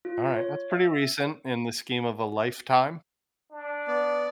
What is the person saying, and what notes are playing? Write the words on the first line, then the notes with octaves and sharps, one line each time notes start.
Alright, that's pretty recent in the scheme of a lifetime.
F4
C#5
E5
D4
B3 D5